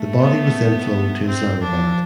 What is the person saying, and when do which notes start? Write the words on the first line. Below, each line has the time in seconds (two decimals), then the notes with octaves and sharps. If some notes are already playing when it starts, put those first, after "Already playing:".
The body was then flown to Islamabad.
Already playing: A3
0.19 B3
1.26 C4
1.62 F3 D4